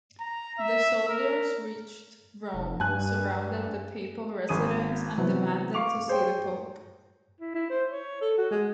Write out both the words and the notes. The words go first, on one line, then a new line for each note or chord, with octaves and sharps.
The soldiers reached Rome, surrounded the papal residence, and demanded to see the pope.
A#5
E5
A#4
F1
G2 G#5 F#6
G#1 G#5 D#6 D#7
C3 E3 F#3 B3
F5 C#6 D6 F7
G#4 C5 C#5 G5
E4
E4
C5
C#5
A4
F#4
G#3